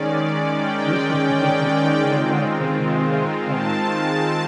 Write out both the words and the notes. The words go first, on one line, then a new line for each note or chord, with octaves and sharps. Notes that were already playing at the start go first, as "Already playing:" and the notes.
This is because they carry their rifle in their right arm.
Already playing: D#3 G#3 C#4 D5
G5
D#3 G#3 C4 F4
A5